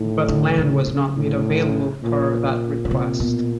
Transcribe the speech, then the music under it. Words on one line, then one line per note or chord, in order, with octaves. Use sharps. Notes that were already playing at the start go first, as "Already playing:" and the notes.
But land was not made available per that request.
Already playing: A2 D#3
D3
C#3
C#3
A2
A#2
C#3
C3
B2